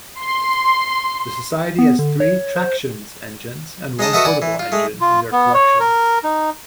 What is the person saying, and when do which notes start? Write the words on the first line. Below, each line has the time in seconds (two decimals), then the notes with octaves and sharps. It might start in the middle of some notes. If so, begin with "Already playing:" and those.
The society has three tractions engines and one portable engine in their collection.
0.19 C6
1.79 B3
1.99 D3
2.20 C#5
2.56 C5
3.99 G#3 D#4 D#5 A5
4.13 F#4 A4 B4 D#5 E5 F#5
4.25 D5 F#5 G#5
4.42 E3
4.59 F4
4.72 G#3 A3
5.01 F4
5.32 B3
5.54 C#5
5.80 A#4
6.24 D#4